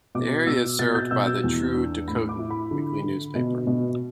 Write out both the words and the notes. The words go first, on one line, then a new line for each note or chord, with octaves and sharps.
The area is served by the "True Dakotan" weekly newspaper.
B2 D6
B2 E6
B2 A6
G6
B2 E6
E6
E2
D4
A2 B5
D6
E4
B5
D3
D3
B2
B2